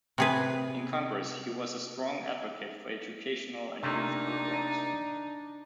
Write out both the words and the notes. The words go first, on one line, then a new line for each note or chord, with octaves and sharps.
In Congress he was a strong advocate for educational and youth programs.
C3 G#4 B4
C3 A3 A#3 D4 D#4